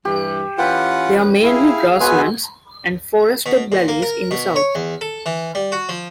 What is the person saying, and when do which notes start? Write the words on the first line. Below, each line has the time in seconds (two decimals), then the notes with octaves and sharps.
There are mainly grasslands and forested valleys in the south.
0.05 G2 E3 G4
0.58 E3 C#4 F4 B4 F#5 G5 B5
1.43 E4 G#4 F5
2.00 G#3 B3 F#4 B4 G#5 E6
3.46 B2
3.72 A#2
3.88 A#3
4.02 A#4
4.31 B2
4.56 C#5
4.75 E2
5.01 A4
5.26 E3
5.55 G3
5.72 F#4
5.89 F3